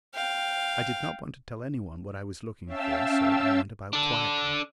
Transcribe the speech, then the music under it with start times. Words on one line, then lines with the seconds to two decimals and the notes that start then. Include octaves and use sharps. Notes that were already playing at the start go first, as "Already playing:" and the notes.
I did not want to tell any one what I was looking for, so I went about quietly.
0.14 F5 G5
2.66 C#4 E5 F5 G5 A5 E6
3.93 D4 A4